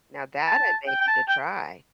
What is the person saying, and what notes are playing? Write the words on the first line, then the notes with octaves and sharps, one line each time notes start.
Now that I may need to try.
A5
G5
G5
A5
G5